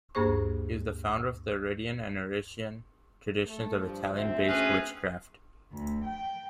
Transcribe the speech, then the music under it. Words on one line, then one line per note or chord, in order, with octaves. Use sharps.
He is the founder of the Aridian and Arician traditions of Italian-based witchcraft.
D2 G2 A#3 G#4 C5 C#6
A3 A4
G2 F3
D2 C4 E5
C#4 G#4 B4
D2
G5